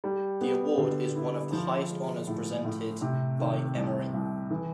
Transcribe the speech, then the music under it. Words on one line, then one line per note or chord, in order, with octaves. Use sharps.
The award is one of the highest honors presented by Emory.
G3
B3
D3
E4
F3
G#3
A2
A2
C3
D#3
C2
C2
E3